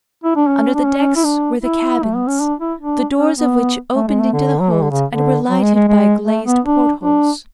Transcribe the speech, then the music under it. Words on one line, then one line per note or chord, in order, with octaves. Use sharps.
Under the decks were the cabins, the doors of which opened into the hold and were lighted by glazed portholes.
E4
D4
C#4
D4
C#4
E4
D4
E4
A3
B3
C#4
D4
E4
D4
C#4
B3
A3
G#3
A3
D3
F#3
E3
D3
C#3
D3
F#3
G#3
G#3
G#3
A3
B3
D4
D4